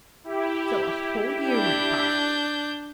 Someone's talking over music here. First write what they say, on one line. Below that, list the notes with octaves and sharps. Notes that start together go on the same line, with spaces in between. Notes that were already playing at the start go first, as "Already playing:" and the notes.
So a whole year went by.
E4 G4
D4 G6